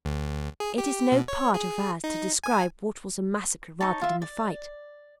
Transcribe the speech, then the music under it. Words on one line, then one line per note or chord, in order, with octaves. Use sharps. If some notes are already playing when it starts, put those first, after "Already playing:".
It is no part of ours to describe what was a massacre rather than a fight.
D2
G#4
G4
B2
C#5
G#4
D#4
G#5
D#4 C#5 A5
F4 E5
D5